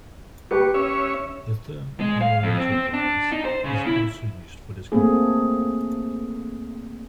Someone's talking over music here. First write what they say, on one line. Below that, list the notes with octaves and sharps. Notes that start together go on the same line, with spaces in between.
The term "pararetrovirus" is also used for this group.
G4 B4 C#6
C#4 C#5 E5
G#3
F5
F2
C4
C4
D4
D#4
C5
C#3
E4
A3 A#3 C4 G#4